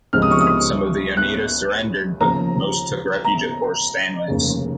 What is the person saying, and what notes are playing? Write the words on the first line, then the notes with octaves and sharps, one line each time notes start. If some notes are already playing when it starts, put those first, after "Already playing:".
Some of the Oneida surrendered, but most took refuge at Fort Stanwix.
C#2 C3 F3 C4 D#4 F6
D#6
C#6
D#6
F#6
D#2 C#3 F3 A#5
A#5
F1 D#2 C#3